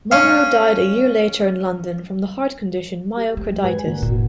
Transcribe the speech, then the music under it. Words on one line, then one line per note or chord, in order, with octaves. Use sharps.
Munro died a year later in London from the heart condition myocarditis.
C#4 F5
G4
G#3
G#2 B4 G#5
D3 A#3 F#4
E1 A2